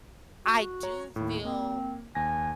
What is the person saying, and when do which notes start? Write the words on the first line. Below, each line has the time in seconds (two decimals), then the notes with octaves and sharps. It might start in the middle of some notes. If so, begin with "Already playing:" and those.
I do feel
0.46 F#4
0.83 C#5 A#5
1.16 D#2 A2 E4
1.45 A#3 C4
2.15 D#2 G#5 A#6